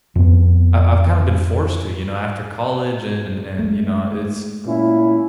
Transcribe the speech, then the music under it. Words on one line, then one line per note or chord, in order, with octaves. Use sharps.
I I've kinda been forced to, you know, after college and and, you know, it's,
F2 B3
G#3 A3
A#2 C#4 E4